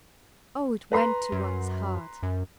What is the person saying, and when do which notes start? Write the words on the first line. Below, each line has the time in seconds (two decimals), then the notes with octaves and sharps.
O! it went to one's heart!
0.92 B4 A#5 C6
1.32 F#2
2.23 F#2